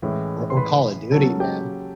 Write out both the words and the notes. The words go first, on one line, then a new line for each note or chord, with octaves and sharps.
or or Call of Duty, man.
A2 E3 G#3 C#4
C6
B4 B5
C#3 F#3 A#3 C#4 A4 A5
G4 G5